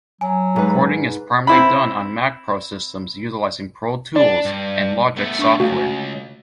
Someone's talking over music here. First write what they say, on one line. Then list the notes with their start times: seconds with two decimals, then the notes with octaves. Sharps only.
Recording is primarily done on Mac Pro systems utilizing Pro Tools and Logic software.
0.21 F#3 G#5
0.56 G#2 B4
1.47 C4 E4 B5
4.16 D4 D5
4.45 G2
5.17 A3 B3
5.39 D4 C#6
5.60 C#2 A3 F#4 F5